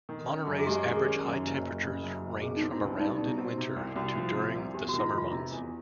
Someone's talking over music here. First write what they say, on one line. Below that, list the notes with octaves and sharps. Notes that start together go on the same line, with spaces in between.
Monterey's average high temperatures range from around in winter to during the summer months.
D#3
C#4
F#2
G#4
G#3 G4
D#3
G#4
C#4
F#2
F#1
F#1
C#3
F#2
F#1
B2 G#4
D#4
C4
E4
C#2 D#4
G3 D#4
B2
E4
C4
C3 E4
C2
C2 F#4
F3 F#4
C3
C2
E2 G4
F#4
D#3
E4
F4
F1
F4
C3 E4
E2